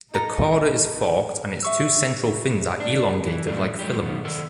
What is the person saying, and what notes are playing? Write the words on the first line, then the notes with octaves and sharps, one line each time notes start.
The cauda is forked and its two central fins are elongated like filaments.
D#4 A4 A#5
E5 C#6 E6
D4
E3
F#2 A2 F3 G3 D4
F#3 G#3 G4
F#2 B2 D#3
D#3 A4 A#4